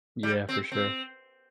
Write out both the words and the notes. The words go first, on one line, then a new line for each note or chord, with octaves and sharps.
Yeah, for sure.
G3
C4
C4